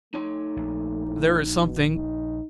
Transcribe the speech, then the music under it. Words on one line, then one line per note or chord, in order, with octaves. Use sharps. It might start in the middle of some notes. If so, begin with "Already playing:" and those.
There is something....
A3 D#4 C#5 C6
A#1
A2
B2
D#4